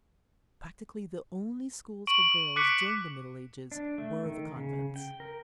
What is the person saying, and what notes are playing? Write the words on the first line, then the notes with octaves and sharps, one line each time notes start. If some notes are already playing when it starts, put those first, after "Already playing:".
Practically the only schools for girls during the Middle Ages were the convents.
C#6 D7 F#7
C#6 D6 F#6 B6 C#7 D7
D4
A3
D#3
C#3
G5
A#4